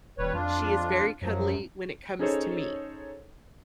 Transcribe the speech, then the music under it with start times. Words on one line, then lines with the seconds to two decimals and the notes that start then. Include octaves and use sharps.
She is very cuddly when it comes to me,
0.18 D#1 G3 B4 C#5
0.34 F2 D4 F4
1.22 F#2 F3 F#3
2.19 C#4 D#4 G#4 A4 C5 C#5